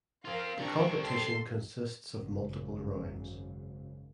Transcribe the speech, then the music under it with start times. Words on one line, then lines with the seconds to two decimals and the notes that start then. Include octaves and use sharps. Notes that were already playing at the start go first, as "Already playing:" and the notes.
The competition consists of multiple rounds.
0.25 C4 F4 A#4 F5
0.59 G3 C4 D4 A#5 C#6
1.02 A4 C6 C7
2.11 G#1 F#2 C#3